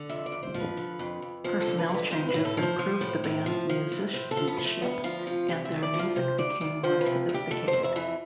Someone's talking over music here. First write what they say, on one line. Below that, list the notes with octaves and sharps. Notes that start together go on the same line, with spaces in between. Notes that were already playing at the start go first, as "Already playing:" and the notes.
Personnel changes improved the band's musicianship and their music became more sophisticated.
Already playing: D3
F2 E5
D5
F2
C5
F3
B4
D3
F2
F2
F3 C5
A4
D3
B4
F2
B4
A2 C5
B4
A2
A4
F3
C5
F3
A2
A2
F3
F3
A2
A2 C5
A4
F3
B3
F3
A3
D2 B3
F3 F4
C3 F4
D2 G4
E5
D2
D5
F3 E4
F4
C3 C5
D2 D5
D2 D5
F3 C5
B4
C3
D2
G4
F2 A4
C5
F2
E5
E3